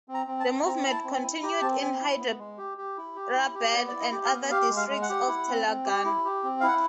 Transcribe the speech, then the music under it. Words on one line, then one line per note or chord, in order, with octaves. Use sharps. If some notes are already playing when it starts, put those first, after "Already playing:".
The movement continued in Hyderabad and other districts of Telangana.
C4
A#5
C4
A5
C4
C4 A#5
E4
A5
C4
G#5
E4
G4 A#5
C4 A5
C4 G#5
E4
B3
G#3
G4
G4
E4
G4
E4
G4
B3 D5
E4 D5
D#5
G4
F5
B3
G4 F5
G#3
F5
G#3
F#5
G4
E4
C4
C4
G4
E4
G4
C4
F5
E4 F#5